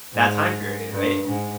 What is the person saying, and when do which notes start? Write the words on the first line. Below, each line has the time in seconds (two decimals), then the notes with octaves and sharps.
that time period, right?
0.14 G#2
0.90 G2
1.27 G#2